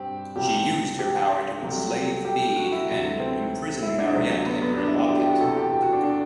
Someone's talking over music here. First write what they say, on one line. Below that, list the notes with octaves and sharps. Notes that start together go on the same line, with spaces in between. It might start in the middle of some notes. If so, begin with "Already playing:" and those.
She used her power to enslave Bede and imprison Mariette in her locket.
Already playing: G2 C4 G4
C2 C3 E3 G4
G4
C2 C3 F#3 A3
G4
F#4
E4
D2 C3 F#3 A3
C4
E4
D4
D2 C3 F#3 A3
B3
B3
D4
E4
D4
G4
G4
F#4
E2 C3 E3 A4
G4
G4
F#4
D4
D4